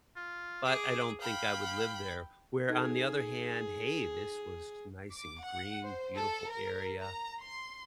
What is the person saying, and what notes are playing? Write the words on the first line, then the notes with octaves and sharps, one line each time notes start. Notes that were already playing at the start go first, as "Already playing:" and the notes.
but I don't think I would live there." Where on the other hand, "Hey, this was nice and green, beautiful area.
F4
G#4 D6
F5 G5 B5
D#4 G#4 A4 G#6
D6
F#5
C5
A4
A#4
A#5
C6